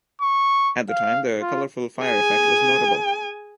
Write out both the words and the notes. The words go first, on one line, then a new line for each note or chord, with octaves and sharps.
At the time, the colorful fire effect was notable.
C#6
F5
F4
G#4 G#5